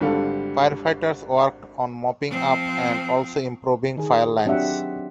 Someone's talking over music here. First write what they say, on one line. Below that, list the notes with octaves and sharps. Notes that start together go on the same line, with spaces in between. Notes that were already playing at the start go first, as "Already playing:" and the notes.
Firefighters worked on mopping up and also improving fire lines.
G#1 D3 G3 A4 F5
F3 C4
D#3 G#4
F#3 C4 D4 G4 E5 F#5